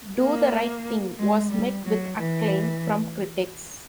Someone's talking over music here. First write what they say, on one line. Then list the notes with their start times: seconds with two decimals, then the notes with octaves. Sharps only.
"Do the Right Thing" was met with acclaim from critics.
0.19 A#3
1.18 G#3
1.51 G3
1.85 F#3
2.17 E3